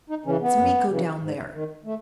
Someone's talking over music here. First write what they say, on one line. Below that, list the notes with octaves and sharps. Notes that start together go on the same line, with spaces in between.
It's Miko down there!
D#4
C#3 E3 C#4
B3
F#2
C#3 E3
G#2
D#3
A3